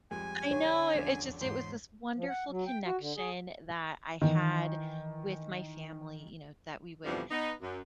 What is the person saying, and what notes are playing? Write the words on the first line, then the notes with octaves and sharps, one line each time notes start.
I know, it it just it was this wonderful connection that I had with my family, you know, that we would
F2 G3 G#3 G#5
D3 C#5
E1 A#1 C#4
E2 G#2 C#5 C6 G6
F3
F#5
F#3
G5
F#4
D3
G#4
D#3 E3
F2 B2 D3 E3 F3 G3
B3 D#4
F#2